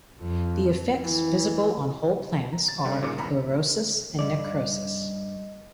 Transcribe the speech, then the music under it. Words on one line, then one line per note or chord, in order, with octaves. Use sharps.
The effects visible on whole plants are chlorosis and necrosis.
F2
E3
A#5
A6
D3 G3
A#2 C#3 D#4 D6 C#7
G#1 E2 A#5 B5
G2 D#3 D5 D#5